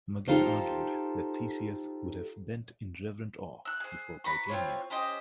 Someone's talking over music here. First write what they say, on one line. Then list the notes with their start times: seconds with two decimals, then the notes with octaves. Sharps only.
Maginn argued that Theseus would have bent in reverent awe before Titania.
0.28 D#4 F4 G4 A4 C5
3.65 E6 F#6
3.80 G#4 C5
4.24 B4 A#5 C#6
4.49 C4 F4 C#5
4.90 C#4 G4 C5 D#5